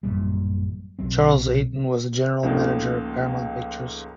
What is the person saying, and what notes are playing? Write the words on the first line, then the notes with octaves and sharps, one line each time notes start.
Charles Eyton was the General Manager of Paramount Pictures.
A1 F#2 A#2 G3
B1 F#3 C4
C#2 G#2 C#3 F3 A3 A#3